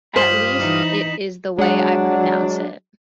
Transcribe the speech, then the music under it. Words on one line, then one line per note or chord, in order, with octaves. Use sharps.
At least, it is the way I pronounce it.
G2 F4 C5 D#6 B6 E7 F#7
E3 D#4
F#3 G#3 D4 F#5